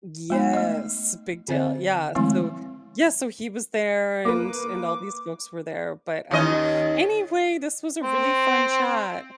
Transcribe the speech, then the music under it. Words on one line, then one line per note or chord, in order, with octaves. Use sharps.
Yes, big deal. Yeah, so yeah, so he was there and and all these folks were there, but, um, anyway, this was a really fun chat.
G#3 B3 D#4
A3 D#5
D3 C4 C5 E5
D#3 F3 G#3 A3 C4 E4
A#3 B4 D6
D#2 C#4 D#5
C4